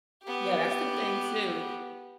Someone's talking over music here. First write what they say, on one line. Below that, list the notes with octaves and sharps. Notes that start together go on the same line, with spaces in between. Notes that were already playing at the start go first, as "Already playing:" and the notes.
Yeah, that's the thing, too
B3 G4